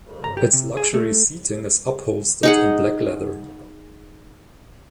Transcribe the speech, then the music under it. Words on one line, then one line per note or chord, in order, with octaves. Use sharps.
Its luxury seating is upholstered in black leather.
A#5
G4
C3
G#4
A3
D#4 G#4 F#5